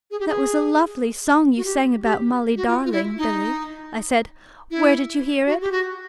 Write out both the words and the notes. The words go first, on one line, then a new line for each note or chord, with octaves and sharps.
"That was a lovely song you sang about 'Molly darling,' Billy," I said. "Where did you hear it?"
G#4
G4
G#4
F#4
G4
G4
F#4
F4
F4
E4
D#4
E4
F#4
G4
F#4